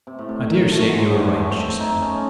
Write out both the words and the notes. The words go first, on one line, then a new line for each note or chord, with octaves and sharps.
"I daresay you are right," she said.
C3
A2
C3
D#3
A3
F#3
G#3
G#3
A3
C4
A3
D#4
C#4